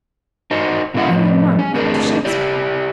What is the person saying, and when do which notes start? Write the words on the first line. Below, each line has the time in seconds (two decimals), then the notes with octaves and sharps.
Why a monument to Shakespeare?
0.51 D#4 F#4 C5
0.94 B2 D3 G#3 A#3 E5 F#5
1.10 A2 F3
1.59 C#4
1.74 D3 A3 C4 D4 G#4 A#4
2.25 E4 G4 D5